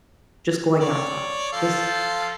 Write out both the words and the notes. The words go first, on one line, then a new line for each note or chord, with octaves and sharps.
just going outside. Just
C#5 D5
F3 A4 F5